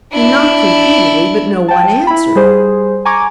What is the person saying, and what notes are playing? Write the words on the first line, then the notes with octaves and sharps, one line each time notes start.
He knocked repeatedly but no one answered.
D4 E4
G5 A5
E4 B5
G3 G#4 C5
G#5 A#5 C#6 D6 G#6